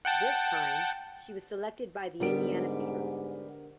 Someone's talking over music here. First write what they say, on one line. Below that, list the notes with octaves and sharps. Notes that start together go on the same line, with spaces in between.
This time, she was selected by the Indiana Fever.
F#5 G5 A5
G#2 D3 G3 B3 G4 A#4 D7